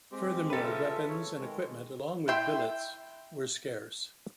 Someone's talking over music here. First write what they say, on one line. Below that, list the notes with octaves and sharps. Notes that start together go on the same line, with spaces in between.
Furthermore, weapons and equipment, along with billets, were scarce.
G#3 C4 G4
F#2 A#3 A4 B4
C#3 F4 E5
C#5
D#3 G#3
E4 E5 G5 C6